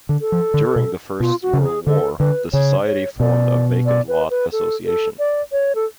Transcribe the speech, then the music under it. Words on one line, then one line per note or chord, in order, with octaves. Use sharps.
During the First World War the Society formed a Vacant Lot Association.
D3
A4
F3
D3
B2
B2 F4
F#4
C#3
G#4
D3 A4
D3 B4
C#3 C#5
C#5
B2 D5
D5
B4
B4
A4
A4
D5
C#5
A4